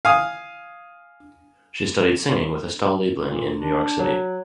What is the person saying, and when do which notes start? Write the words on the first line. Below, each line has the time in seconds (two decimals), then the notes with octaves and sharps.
She studied singing with Estelle Liebling in New York City.
0.05 F5 G#5 D#6
3.24 A#2
3.57 D4
3.99 F#3